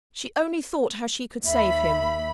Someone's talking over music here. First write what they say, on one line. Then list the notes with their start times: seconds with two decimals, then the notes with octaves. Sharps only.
She only thought how she could save him.
1.45 D#2 E5 B5